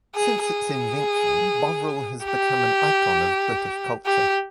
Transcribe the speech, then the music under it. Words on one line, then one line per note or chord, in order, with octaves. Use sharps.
Since its invention, Bovril has become an icon of British culture.
G#4
G#4
G4
G4